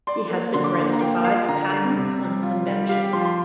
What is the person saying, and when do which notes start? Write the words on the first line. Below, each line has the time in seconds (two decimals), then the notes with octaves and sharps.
He has been granted five patents on his inventions.
0.07 D5 C6
0.30 A#3
0.54 D3 C6
0.64 D6
0.75 A#3 C6
0.93 A#5
1.01 A#3 G5
1.24 F4 F5
1.48 D3 A#5
1.72 G3
1.96 C3
2.19 G3
2.43 F4
2.65 G3
2.89 G4 F5
3.01 G5
3.13 F3 C6
3.25 C6